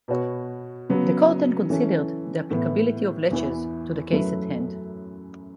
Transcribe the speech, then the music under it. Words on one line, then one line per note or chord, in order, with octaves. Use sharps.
The Court then considered the applicability of laches to the case at hand.
B2 B3 F#4 C#5
C#3 F#3 B3
E3 C#4 A4
A2 E3 B3
E2 E3 B3
F#2 F#3 A3 E4 B4